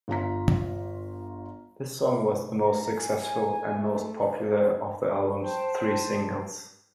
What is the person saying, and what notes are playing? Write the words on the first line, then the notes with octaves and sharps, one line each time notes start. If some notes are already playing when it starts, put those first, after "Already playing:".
This song was the most successful and most popular of the album's three singles.
G1 F4 A#5 B6
C#2 G#2 F#4 A4 A#5
G#5
A3
C#2 C5 D#5
C5 G5 A5